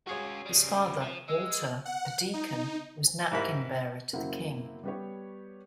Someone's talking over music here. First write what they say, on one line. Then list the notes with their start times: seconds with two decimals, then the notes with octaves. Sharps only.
His father, Walter, a deacon, was Napkin Bearer to the King.
0.07 C#4 F4 F#4 G#4 C#5
0.46 C#3 G3
1.01 F3
1.28 G#3 E6
1.85 F#5
2.34 D#4
3.31 G#2 G3 E4 A#4 B5
4.13 F#2 C#3 A#3 C4 E4 F#5
4.84 G3 B3 G4 C#5